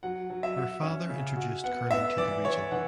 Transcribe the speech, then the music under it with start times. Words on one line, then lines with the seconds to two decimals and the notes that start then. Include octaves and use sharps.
Her father introduced curling to the region.
0.03 F#3 F#5
0.30 F#3
0.43 E5
0.57 F#4
0.83 C#4
1.10 C#3
1.37 F#4
1.64 B3 F#5
1.90 B3 E5
2.17 E3 D5
2.44 E3 C#5
2.71 E3 F#5